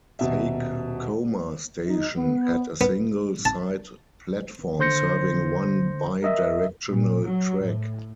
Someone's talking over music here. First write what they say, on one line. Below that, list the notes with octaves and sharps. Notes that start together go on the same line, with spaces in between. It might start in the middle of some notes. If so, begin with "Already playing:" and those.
Takekoma Station had a single side platform serving one bi-directional track.
D#1 B2 E5
D#4
B3
B3
A5
D3 C5 C6 G6 A#6 C#7
A#4 D#5 E5
A#2
F#3
A2